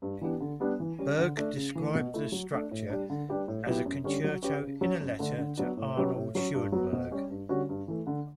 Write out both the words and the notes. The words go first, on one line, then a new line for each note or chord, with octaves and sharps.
Berg described the structure of the concerto in a letter to Arnold Schoenberg.
G2
E3 B3 D4 G4
D3
G3 B3 D4
E3
G3 C#4
D3
A3 D4
C#3
E3 A3
B2
A3 E4
F#3
A3 D4
A2
G3 D4
D3
G3 D4 G4 B4
A2
F#3 B3 E4 G4
F#2
D3 G3 C#4
F#3
C#4 G4 B4
C#3
F#3 C#4
F#2
D3 A3 D4
D3
F#3 B3 D4
A2
F#3 C#4 G4 B4
A2
F#3 C#4
G2
F#3 B3 F#4
B2
G3 C#4 G4
G2
D3 G3 C#4 F#4
G2
E3 A3
D3